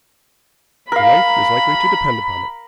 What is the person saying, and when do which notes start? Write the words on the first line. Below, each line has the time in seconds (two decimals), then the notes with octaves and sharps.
Your life is likely to depend upon it.
0.92 A#4 F5 B5